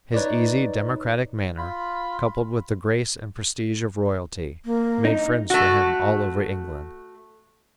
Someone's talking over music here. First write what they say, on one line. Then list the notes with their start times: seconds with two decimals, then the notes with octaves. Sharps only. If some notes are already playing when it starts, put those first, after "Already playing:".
His easy, democratic manner, coupled with the grace and prestige of royalty, made friends for him all over England.
0.14 D#4 B4 C#5 D5
1.58 F4 B5
4.65 A#3
5.05 D#4
5.50 A3 F#4